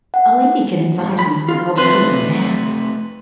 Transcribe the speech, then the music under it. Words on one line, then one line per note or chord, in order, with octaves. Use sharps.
"A lady can advise a young girl better than a man."
F#5
G#2
B5
F4
C3 A3 B4 C6 F#6